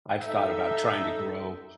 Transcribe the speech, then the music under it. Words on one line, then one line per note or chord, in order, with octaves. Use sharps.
I've thought about trying to grow,
D#4 A4 E5